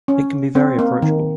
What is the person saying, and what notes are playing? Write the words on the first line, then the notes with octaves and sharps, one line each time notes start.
It can be very approachable.
C#4
C4
A#3
D#3